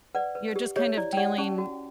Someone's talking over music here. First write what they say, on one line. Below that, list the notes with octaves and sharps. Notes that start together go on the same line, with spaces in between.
you're just kind of dealing
B4 D5 F#5
B4
G4
G4 C#5 E5
E4 D5
G5
G4 D5 F#5
C#4 A5 C#6
F#4